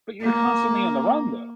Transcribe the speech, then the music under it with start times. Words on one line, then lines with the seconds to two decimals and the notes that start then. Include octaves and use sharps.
But you're constantly on the run, though.
0.21 A#3